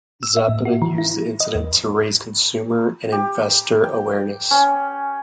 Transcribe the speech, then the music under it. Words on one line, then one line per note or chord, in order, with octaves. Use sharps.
Zapata used the incident to raise consumer and investor awareness.
E6
E5
A2
F#4
E3
E4
D#5
E2
G4
G5
C#4